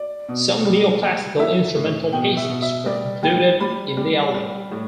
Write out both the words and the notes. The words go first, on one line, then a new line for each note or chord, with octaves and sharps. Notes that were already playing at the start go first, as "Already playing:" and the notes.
Some neoclassical instrumental pieces were included in the album.
Already playing: D5
B2
G3
G3
E3 E5
A2
B2 G5
E5
B2
E5
G3 D5
G3 G5
G3 B5
G3
G3
A2